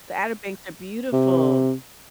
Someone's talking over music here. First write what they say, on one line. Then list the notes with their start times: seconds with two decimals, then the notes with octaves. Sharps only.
The Outer Banks are beautiful.
1.13 C3